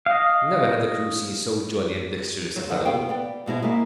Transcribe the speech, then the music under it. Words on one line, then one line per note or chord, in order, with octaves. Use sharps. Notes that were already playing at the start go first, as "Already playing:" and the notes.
Never had the crew seen so jolly and dexterous a fellow.
D#5 F5
F#3 F4
D3 D#3 E4 B4 F#5
B3 F5 G5
B3 D5 G5
G#2 B2 G#3 E4
G#3 A#3 E4 E5